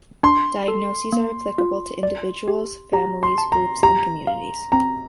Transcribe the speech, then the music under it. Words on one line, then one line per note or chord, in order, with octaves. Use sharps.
Diagnoses are applicable to individuals, families, groups and communities.
D4 C6
A4
A#3
F4
D5
G4
G4 A#5
C6
A5
A#5
G4 A#5
F5
C4 A#5